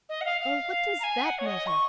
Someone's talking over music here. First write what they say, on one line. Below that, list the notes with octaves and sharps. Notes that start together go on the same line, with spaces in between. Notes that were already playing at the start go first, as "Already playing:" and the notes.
'Oh, what DOES that matter!
D#5
F#5
F5
F5
A#5
G#5
F#5
C#5
D#5
C#6